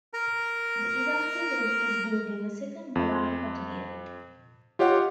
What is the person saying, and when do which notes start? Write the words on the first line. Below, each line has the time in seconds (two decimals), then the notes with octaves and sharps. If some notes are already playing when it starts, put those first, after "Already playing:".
The Iraqi Navy is building a second Marine battalion.
0.14 A#4 A#5
2.96 F2
4.79 F4 G4 C#5 D#5 F#5